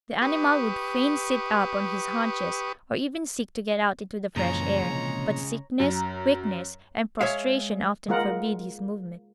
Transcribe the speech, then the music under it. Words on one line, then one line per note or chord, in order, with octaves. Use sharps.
The animal would fain sit up on his haunches, or even seek to get out into the fresh air, but sickness, weakness, and prostration often forbid his movements.
G4 B4 C#6 D#6
F#2 A#2 C#3 E3 F3 G#3 C#5 A#5
C3
F#2 A#5
G#3 C#5 E5 F5
G#3 A#3 F4 A#4 F#5